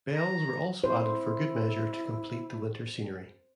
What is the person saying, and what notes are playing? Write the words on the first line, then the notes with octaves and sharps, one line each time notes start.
Bells were also added for good measure to complete the winter scenery.
A#5
E4 C5